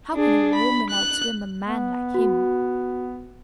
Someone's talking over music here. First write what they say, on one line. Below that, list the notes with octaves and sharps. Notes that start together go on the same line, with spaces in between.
How could a woman outswim a man like him?
D4 G#4
B5
F#6
B3
F#4